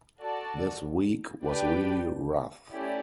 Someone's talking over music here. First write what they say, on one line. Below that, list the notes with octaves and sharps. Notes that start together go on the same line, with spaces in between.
This week was really rough.
F#4 A4 D5 A5
D4 G4 B4 D5 G5
A3 C#4 E4 G4 D5